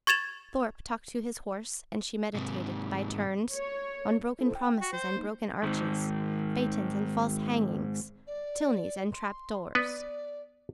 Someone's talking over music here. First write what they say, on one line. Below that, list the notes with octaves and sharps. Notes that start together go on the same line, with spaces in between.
Thorpe talked to his horse, and she meditated, by turns, on broken promises and broken arches, phaetons and false hangings, Tilneys and trap-doors.
C#6 G#6 A6 E7 F7
G#2 C3
C#5
E4 A4 C5
G5
F#4
C5
A#3 D#4
G#2 D#3
D5
C6
B3 B4 D5